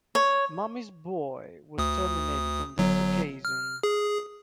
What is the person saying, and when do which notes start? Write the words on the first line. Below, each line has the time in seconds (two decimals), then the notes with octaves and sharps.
"Mummy's Boy" was terminated on this occasion.
0.15 C#5
1.78 D2 D#6
2.78 G1 F#3
3.45 F6
3.83 G#4